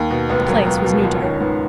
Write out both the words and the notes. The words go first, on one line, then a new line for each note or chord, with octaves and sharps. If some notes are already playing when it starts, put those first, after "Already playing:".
The place was new to her.
Already playing: D#2
B2
C#2 B3
F#3 A#3
C#2 B3
B2
C#2
D#3 C#4
G#2 B3